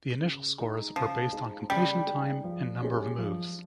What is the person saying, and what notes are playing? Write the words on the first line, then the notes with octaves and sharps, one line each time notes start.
The initial scores were based on completion time and number of moves.
C#3
G#3 D#4
C#3 F3
G#3 D#4
C#3 G3
G#3 D#4
F3
G#3 C#4 G4
F3